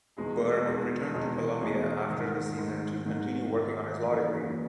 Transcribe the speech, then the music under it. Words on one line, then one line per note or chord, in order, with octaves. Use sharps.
Berg returned to Columbia after the season to continue working on his law degree.
E2 B2 G#3 D#4 G#4
E2 B2 G#3 D#4 G#4
E2 B2 G#3 D#4 G#4
E2 B2 G#3 D#4 G#4
G#2 D#3 G#3
G#2 D#3 G#3
G#2 D#3 G#3
G#2 D#3 G#3
F#2 C#3 E3 A#3 C#4
C#3 E3 A#3 C#4